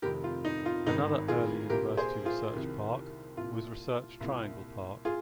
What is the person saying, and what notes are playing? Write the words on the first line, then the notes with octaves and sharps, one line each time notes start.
Another early university research park was Research Triangle Park.
F1 F2 C3 D#3 G4 A#4
F4
D#4
F4
G#1 G2 D#3 D#4
F4 G#4
C2 A#2 G4 A#4
G#4 C5
F4 G#4
C2 C3 D#3
C2 A#2 F4
C2 A#2
F4 G#4